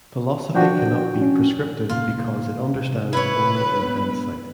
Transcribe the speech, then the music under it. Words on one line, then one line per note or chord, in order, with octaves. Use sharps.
Philosophy cannot be prescriptive because it understands only in hindsight.
F3 D4 F#4 G5
C#4
A#2 C#3 A#3 F4
C3
E4 B4 C#5
G#3 B3 D4